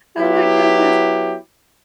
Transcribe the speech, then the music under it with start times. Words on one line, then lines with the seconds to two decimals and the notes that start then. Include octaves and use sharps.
Oh my goodness.
0.19 F#3 B3 E4 G4